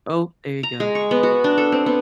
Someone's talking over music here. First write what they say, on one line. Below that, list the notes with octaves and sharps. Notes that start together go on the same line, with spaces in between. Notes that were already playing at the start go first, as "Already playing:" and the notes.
Oh, there you go.
A#5
G#3
C#6
B3
F#4
D4
A4
C4
B3